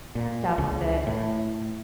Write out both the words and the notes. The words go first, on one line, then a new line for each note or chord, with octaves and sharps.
stuff that
A#2
C#2
A2